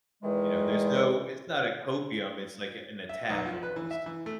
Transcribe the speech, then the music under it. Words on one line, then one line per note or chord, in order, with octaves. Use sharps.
You know, there's no it's not a copium, it's, like, a an attack almost.
E2 D#3 E3 G#3
E5
B1
F3
B4
E3
E5
E3
A3